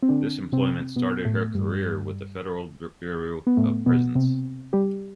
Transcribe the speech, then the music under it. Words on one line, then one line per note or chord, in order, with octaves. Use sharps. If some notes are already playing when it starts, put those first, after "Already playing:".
This employment started her career with the Federal Bureau of Prisons.
C4
D3 D4
C3 C4
B2 B3
A2 A3
G2 G3
B3
A2 A3
B2 B3
C3 C4
G3 G4